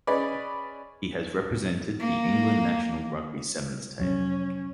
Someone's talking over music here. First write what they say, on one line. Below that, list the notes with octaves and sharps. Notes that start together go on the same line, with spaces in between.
He has represented the England national rugby sevens team.
C#4 G#4 B4 D5 D#5
A#3
C2 F2 F#3 C#4